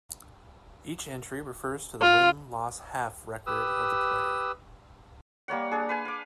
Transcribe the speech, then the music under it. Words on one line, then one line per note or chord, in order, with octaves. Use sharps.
Each entry refers to the Win-Loss-Half record of the player.
F4
G4 B4 D#6 E6
G3 A#3 C#5 F#5
D4 G#4
B4 F5 G#5
F5 D6